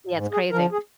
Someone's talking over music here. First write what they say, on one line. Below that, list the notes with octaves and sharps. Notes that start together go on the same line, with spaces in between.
Yeah, it's crazy.
G#2
G#4
F3 A#4
G#4